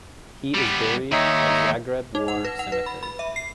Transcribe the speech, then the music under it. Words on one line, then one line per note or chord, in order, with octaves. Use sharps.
He is buried at Zagreb War Cemetery.
G3 B3
D#2 D#3 D#4 C#5 E5
D#4
F#5
B4
F#5
B4
B5
B5
E5
C7